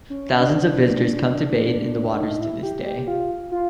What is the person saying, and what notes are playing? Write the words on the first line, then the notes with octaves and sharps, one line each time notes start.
Thousands of visitors come to bathe in the waters to this day.
C#4
D4
D#4
E4
G4
G4
F4
F4